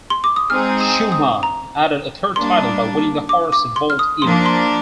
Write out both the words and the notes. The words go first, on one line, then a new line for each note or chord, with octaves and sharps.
Schuhmann added a third title by winning the horse vault event.
C6
D6
D#6
G#3 C4 D#4 G#4 F6
D#6
D#6
A#5
G3 A#3 D4 C6
D6
D6
C6
F6
D#6
F3 A#3 D4 C6
C6